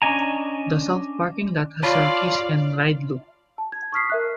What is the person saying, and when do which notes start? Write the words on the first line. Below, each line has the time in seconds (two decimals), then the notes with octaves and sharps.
The south parking lot has a kiss and ride loop.
0.02 C#4 D4 D#5 G#5 A#5
1.83 F4 C#5 D5 F5 A5 B5
3.58 A5
3.72 G#6
3.92 C#6 D#6 F6 B6 C7
4.10 A#4 E5 F#6